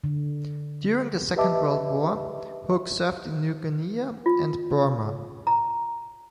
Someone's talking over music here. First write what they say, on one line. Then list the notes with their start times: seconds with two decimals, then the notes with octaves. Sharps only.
During the Second World War Hook served in New Guinea and Burma.
0.04 D3
1.36 G4 B4 D#5 E5 A5 D6
4.26 F4
5.47 A#5